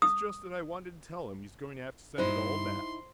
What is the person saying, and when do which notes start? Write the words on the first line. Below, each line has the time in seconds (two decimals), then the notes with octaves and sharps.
It's just that I wanted to tell him he's going to have to send it all back.
0.02 D#6
2.18 G2 D#4 E4 C5 C6